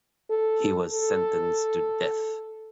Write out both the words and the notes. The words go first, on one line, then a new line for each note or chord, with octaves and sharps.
He was sentenced to death.
A4
A4